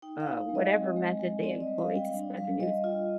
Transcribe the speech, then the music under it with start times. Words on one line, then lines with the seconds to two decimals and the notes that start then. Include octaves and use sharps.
uh, whatever method they employ to spread the news.
0.02 D#4 G5
0.20 F5
0.26 D#4
0.49 G#3
0.55 D#5
0.73 C4
0.96 G#3
1.20 G#3
1.43 C4 D5
1.61 D#5
1.67 G3
1.78 F5
1.90 G3
1.96 G5
2.14 D4 G5
2.37 G3 F5
2.60 G3 D#5
2.84 F4 D#5